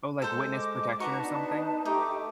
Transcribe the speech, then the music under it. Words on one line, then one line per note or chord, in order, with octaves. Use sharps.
Oh, like witness protection or something?
G#3 A4 C5
D#5 D6
D#4 F#4 B4 A5 A#5 C#6
B3 D4
A3 D#4 G4 D6 D#6